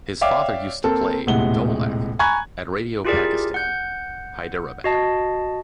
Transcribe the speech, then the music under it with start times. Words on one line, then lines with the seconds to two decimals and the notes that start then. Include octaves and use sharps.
His father used to play Dholak at Radio Pakistan Hyderabad.
0.21 C#5 D5 E5 F5 G5 D6
0.84 A#3 C4 A4
1.27 D#1 A2 C3 G#3 F#5 G7
2.19 G#5 A#5 B5 C#6 F#6 G#6
3.05 E4 F4 G4 G#4 A#4 D5
3.54 F#5 G6
4.84 F#4 D#5 A5